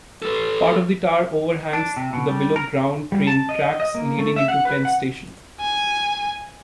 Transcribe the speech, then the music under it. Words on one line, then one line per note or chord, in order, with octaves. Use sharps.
Part of the tower overhangs the below ground train tracks leading into Penn Station.
A4 B4
D4
C3
B2
G3
A#4
G3
A5
D#5
D#5
A#3
A3
E5
F#5
B4
F#5
G#5